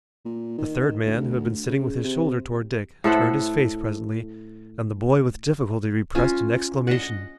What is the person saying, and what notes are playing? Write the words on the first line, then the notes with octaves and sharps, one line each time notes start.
The third man, who had been sitting with his shoulder toward Dick, turned his face presently, and the boy with difficulty repressed an exclamation.
A#2
D#3
D2
C#3
C3
A2 A4 C5 F#5
C#4 F4 G#5
D#5 F#5